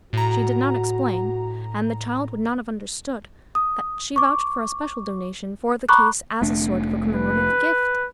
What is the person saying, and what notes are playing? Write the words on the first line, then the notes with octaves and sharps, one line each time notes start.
She did not explain, and the child would not have understood, that she vouched for a special donation for the case as a sort of commemorative gift.
A2 F#4 A#5
D#6
C#6 D6
A#5 B5 C#6 D6 F#6
F1 A3 D4
B4